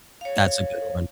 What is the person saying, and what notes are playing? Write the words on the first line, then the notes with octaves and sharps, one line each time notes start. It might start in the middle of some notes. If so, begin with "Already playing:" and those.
That's a good one.
C#5 F5